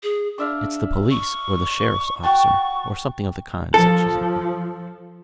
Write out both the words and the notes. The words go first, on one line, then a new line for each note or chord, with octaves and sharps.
"It's the police, or the sheriff's officer, or something of the kind," said Cheesacre.
G#4
D4 D5 E5 F5
C#6
F#4 G5 A5 C#6
F3 A4